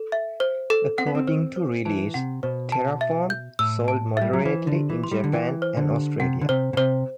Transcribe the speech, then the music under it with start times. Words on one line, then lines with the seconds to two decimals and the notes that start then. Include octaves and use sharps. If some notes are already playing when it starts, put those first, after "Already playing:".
According to "Release", "Terraform" sold moderately in Japan and Australia.
Already playing: A4
0.12 E5
0.40 C5
0.70 A4
0.98 C4 F#5
1.07 B3
1.15 C4
1.27 C5
1.56 C5
1.85 E3 A5
2.14 C3 F#5
2.43 B2 C5
2.72 A5
3.01 E5
3.30 G6
3.59 A2 E6
3.88 A5
4.17 G3 E5
4.33 F#3
4.45 E3 C5
4.67 D3
4.75 G4
4.90 E3
5.04 C6
5.11 G3
5.24 D3
5.33 E3 G5
5.62 C5
5.77 D3
5.91 G4
6.20 C3 F#5
6.41 D3
6.49 C3 C5
6.73 B2
6.77 C3 C5